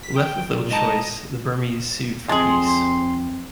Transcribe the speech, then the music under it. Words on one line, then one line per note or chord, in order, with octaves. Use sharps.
Left with little choice, the Burmese sued for peace.
B6
G5
A#2
G#2 D#5 A5 A#5
D#5
F2 G#3 C4 G#4 A5 C6